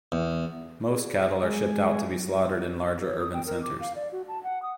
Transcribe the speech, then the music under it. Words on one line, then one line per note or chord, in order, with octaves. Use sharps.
Most cattle are shipped out to be slaughtered in larger urban centers.
E2
G#4 D5
G#3 G#4 G#5
F#3
C#5
D#6
G5
A#4
D6
F5
D5
F#4
A5
F#5
D#6